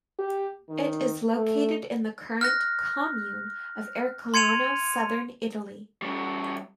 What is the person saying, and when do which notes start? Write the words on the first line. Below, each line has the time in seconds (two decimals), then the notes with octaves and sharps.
It is located in the current "commune" of Ercolano, southern Italy.
0.19 G4
0.69 D#3
1.37 A3
2.41 F6 F#6 A#6
4.34 C6 G#6 C#7 D#7 F7
6.02 G3 C#4